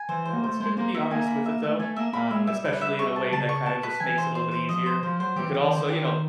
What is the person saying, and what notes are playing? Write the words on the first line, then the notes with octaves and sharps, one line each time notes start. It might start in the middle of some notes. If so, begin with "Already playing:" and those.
No, it's good to be honest with it, though, um, especially in a way that kinda just makes it a little bit easier. You could also, you know
Already playing: G#5
E3 C5
C5
A#3
A3 C5
G#3 C5
A#3 C5
A#3 E5
A#3 G#5
B5
E5
A3 E5
A3 G#5
A#3 E5
A#3 B5
G#3 E5
G3 E5
B4
E5
C#6
A5
C#3 A5
C#6
A5
B4
E3 G#5
C5
C5
C5
F3 D#5
C5
F3 C5
F#3 C5
E3 G4
E3 G4
D#3
D3 C5
D#3 G4
C5